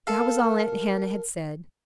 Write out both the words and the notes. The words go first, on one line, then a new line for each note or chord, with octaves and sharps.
That was all Aunt Hannah had said.
A4 A#4 F5